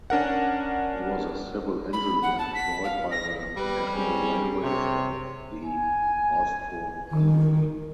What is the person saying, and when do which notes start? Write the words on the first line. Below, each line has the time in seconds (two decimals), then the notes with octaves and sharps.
He was a civil engineer employed by the national railways of the Austro-Hungary.
0.10 C#4 D4 A#4 F#5
1.93 B5
2.22 F#5
2.39 A5
2.55 B6
2.84 F5
3.11 A#6
3.57 G3 B4
3.93 C4 C#4 G4 G#4
4.63 C3 C#5
5.65 G#5
7.11 D#3